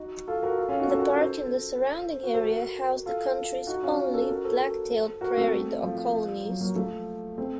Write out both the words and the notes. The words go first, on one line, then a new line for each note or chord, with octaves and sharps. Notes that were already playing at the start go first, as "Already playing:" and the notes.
The park and surrounding area house the country's only black-tailed prairie dog colonies.
Already playing: D#4 F#4
F4 A4
F#4 A#4
F4 A4
C#4 F4
D#4 F#4
F4 A4
F#4 A#4
F#4 A#4
A4 C5
F#4 A#4
A4 C5
F#4 A#4
F4 A4
D#4 F#4
C#4 F4
F4 A4
F#4 A#4
A4 C5
F#4 A#4
A3 C4
F3
F#3
F#3 A#3
F3 A3
A3 C4